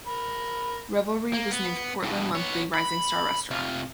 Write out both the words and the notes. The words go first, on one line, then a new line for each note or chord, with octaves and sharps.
Revelry was named "Portland Monthly" "rising star restaurant".
A#4 B5
A#3
B3
G2 B2
B3 C#5
B5
C3 F4